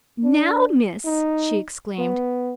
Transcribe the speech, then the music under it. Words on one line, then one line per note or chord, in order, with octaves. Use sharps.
"Now, Miss!" she exclaimed.
D4
D#4
B3